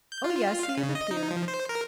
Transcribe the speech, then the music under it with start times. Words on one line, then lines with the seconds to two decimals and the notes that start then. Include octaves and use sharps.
"Oh, yes, he is a peer."
0.12 G6
0.24 F4
0.63 F5
0.77 C#3
0.95 D#5
1.11 D#4
1.31 F3
1.48 C5
1.69 A#4